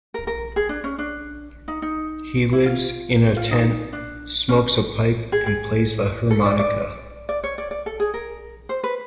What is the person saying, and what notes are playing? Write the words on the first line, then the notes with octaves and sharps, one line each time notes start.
He lives in a tent, smokes a pipe and plays the harmonica.
A#4
A#4
G#4
D4
C#4
D4
D#4
D#4
E4
F4
F4
D#4
D4
C#4
G#4
G#4
A4
D5
D5
D5
C#5
D5
D5
A4
G#4
A#4
C5
B4